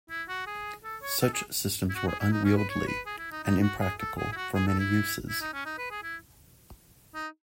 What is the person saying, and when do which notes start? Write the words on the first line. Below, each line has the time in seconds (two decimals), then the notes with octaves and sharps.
Such systems were unwieldily and impractical for many uses.
0.10 E4
0.28 F#4
0.47 G#4
0.84 A4
1.02 C#5
1.21 A4
1.33 G#4
1.90 E4
1.95 F#4
2.08 G#4
2.20 E4
2.32 D#4
2.44 C#4
2.57 B4
2.70 C#5
2.87 B4
3.06 G#4
3.19 E4
3.31 D#4
3.44 D#4
3.62 F#4
3.81 G#4
3.99 A4
4.18 G#4
4.32 E4
4.36 F#4
4.55 G#4
4.67 A4
4.79 E4
5.29 E4
5.41 D#4
5.54 C#4
5.66 D#4
5.78 B4
5.91 G#4
6.03 E4
7.14 D#4